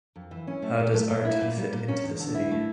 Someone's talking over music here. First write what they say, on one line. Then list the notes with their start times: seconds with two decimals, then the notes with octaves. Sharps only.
How does art fit into the city?
0.16 F2
0.31 E3
0.47 C#4
0.62 A3
0.79 A#2
0.94 A3
1.10 A#2
1.25 E4
1.41 A#2
1.57 G3
1.73 A#2
1.88 C#4
2.04 E2
2.19 D3
2.35 E4
2.51 A3